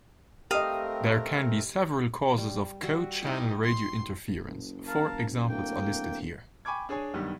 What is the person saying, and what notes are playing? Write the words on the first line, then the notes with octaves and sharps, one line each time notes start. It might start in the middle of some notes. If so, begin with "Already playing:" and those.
There can be several causes of co-channel radio interference; four examples are listed here.
A3 C4 G4 A#4 D#5 F5 D#6
G3
G3 F#4 E5
D#4 E4 G4
C6
F#1
A#4 F5 A5
D1 A#3 G5
G5 G#5 B5 C#6 D6 G#6
D4 G#4 C#5 G#5
B1 G2 D#3 G3